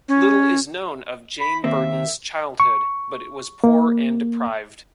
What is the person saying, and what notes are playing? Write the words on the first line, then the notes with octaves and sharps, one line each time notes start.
Little is known of Jane Burden's childhood, but it was poor and deprived.
C#4
B5
D#2 A#3 C4 E5
C#6
A#3